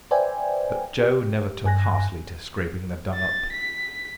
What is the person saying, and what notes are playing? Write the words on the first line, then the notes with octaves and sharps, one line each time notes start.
But Joe never took heartily to scraping the dung up.
B4 C5 D5 E5 G5 G#5
G4
G2 G#5 F#6 A#6
A6
B6